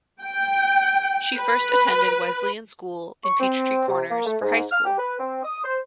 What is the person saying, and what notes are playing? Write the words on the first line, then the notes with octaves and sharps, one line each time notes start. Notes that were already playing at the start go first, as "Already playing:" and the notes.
She first attended Wesleyan School in Peachtree Corners for high school.
G5
B4
C#6
C4
C3
A#3
A3
G#2
F6
G4
B4
C4
D#6
C5